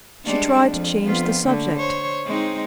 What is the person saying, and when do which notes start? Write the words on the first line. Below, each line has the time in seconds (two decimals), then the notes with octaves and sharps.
She tried to change the subject.
0.25 G3 G#3 D4
0.69 F2
1.02 F2 B3 F4
1.44 D3 A3 A#3
1.76 C5 C#5
2.25 G#3 C4 D#4